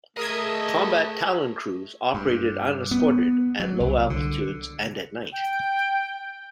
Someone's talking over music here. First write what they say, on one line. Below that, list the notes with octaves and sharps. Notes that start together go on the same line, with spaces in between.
Combat Talon crews operated unescorted at low altitudes and at night.
A3 G#4 A#4 D#5 E5 D#6 G#6
G2
B3
F#3
C2
D3
G5